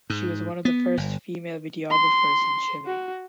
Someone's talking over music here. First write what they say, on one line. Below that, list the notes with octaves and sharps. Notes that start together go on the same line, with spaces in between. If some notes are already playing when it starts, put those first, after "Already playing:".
She was one of the first female videographers in Chile.
G#2
B3
G1
C6
F#4